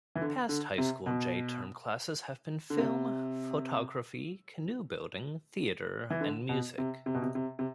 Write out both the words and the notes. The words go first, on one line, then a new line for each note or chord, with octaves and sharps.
Past High School J-Term classes have been Film, Photography, Canoe-Building, Theater and Music.
E3
D3
D3
C3
B2
D3
C3
E3
D3
B2
C3
C3
B2
C3
C3
C3